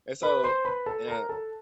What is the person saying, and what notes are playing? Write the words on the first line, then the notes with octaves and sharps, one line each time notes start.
and so and,
B4 B5
C5 C6
B4 B5
A4 A5
A#4 A#5
A4 A5